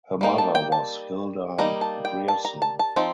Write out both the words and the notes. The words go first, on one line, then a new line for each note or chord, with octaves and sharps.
Her mother was Hilda Grierson.
G3 A#3 D#4
A5
G5
A5
G3 A#3 D#4 A#5
A5
G5
A5
A#5
A5
A5
F3 C4 D#4